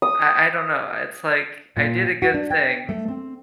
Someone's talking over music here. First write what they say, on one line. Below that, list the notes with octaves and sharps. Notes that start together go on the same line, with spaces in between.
I I don't know, it's, like, I did a good thing.
D#6
A#2
F#4
D4
G5
A3
C4